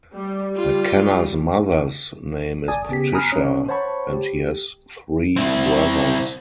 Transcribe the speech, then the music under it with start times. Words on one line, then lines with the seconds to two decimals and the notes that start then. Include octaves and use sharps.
McKenna's mother's name is Patricia, and he has three brothers.
0.15 G3
0.56 G3 F4
2.68 G#1 D5 G#5 A5 D#6
2.89 C#3 B3 G4 B6
3.13 G#5 A#5 B5 D#6 F6 F#6
3.32 C#4 C#5
3.68 C5 C#5 F#5 A5 B5 C#6
4.11 G4
5.36 C4 E4